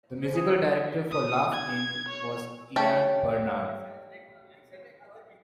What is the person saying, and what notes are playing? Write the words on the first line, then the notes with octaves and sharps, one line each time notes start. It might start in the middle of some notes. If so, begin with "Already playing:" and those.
The musical director for "Laugh-In" was Ian Bernard.
C5
G#4
D5
D#6
G#6
C#5
A3 G4 C#5 D5